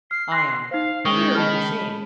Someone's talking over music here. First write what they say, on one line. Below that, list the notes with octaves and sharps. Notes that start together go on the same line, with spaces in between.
ION: Clearly the same.
F6 C7
C6 F#6 A#6
D#4 C5 F5
D#3 G#3 C#4 G5 C#6 D#6 G7
D#5 A5 B5 F6